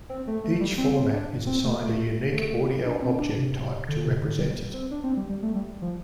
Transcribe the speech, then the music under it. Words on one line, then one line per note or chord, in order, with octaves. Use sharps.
Each format is assigned a unique Audio Object Type to represent it.
C4
A3
A3
G3
C4
C4
D4
C4
A3
A3
A3
A3
D4
C4
D4
C3
D3
C3
D3
G3
C4
D4
C4
G3
G3
A3
G3
F3